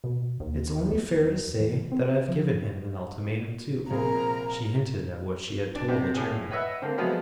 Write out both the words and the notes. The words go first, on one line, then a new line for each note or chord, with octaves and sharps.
"It's only fair to say that I've given him an ultimatum, too." She hinted at what she had told the chairman.
B2
D#2
E2
E3
C4
F3
A#1 C3 G#4 A#4
D4
C3
A2 G#4
B4 C#5 D#5 E5 F#5
D3 A#3 C4
F3 F#3 G#3 A3 B3